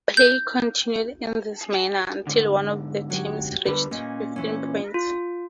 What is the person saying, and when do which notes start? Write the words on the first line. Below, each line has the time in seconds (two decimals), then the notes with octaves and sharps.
Play continued in this manner until one of the teams reached fifteen points.
0.17 G6
2.27 G#2 D3
3.10 F#3 G4
3.66 D3 G3 B4
3.91 A#2 C#4 D#5
4.36 E3 C#4
4.94 F4